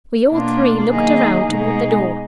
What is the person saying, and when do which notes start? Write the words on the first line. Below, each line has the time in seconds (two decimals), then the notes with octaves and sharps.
We all three looked around toward the door.
0.30 B2 A#3 D4 F4
0.88 D#3 F#3 A#3 D#4 G#4
1.47 B2 G#3 D#4 G#4